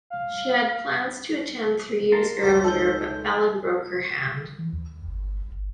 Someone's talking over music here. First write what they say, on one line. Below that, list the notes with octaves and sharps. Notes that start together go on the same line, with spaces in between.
She had plans to attend three years earlier but fell and broke her hand.
F5
A#3 A5 A#5 C6
C#2 F3 F#4 C5 C#5
G#3 D#4 A4 B4 C#5 G6
E3
D#2
G1
G1